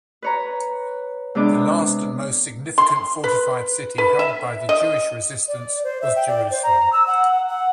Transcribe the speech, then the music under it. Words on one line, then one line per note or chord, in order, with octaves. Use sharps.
The last and most significant fortified city held by the Jewish resistance was Jerusalem.
B4 C#5 A#5
C3 G#3 B3 D4 D6
C6
B4
B4
E5
D#5
D5
C5
E5
G5
D5
C5
A#5
E6
F#5
F#5